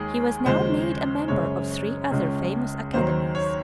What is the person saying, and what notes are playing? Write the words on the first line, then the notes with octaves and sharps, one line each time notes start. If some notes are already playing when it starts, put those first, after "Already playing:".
He was now made a member of three other famous academies.
Already playing: D#2 D#3 G#3 G#4
D#2 C#3 F3 G#3 C5
F#2 C#3 G#3 C#5
C#2 C#3 G#3
D#2 D#3 F#3 C5
C#5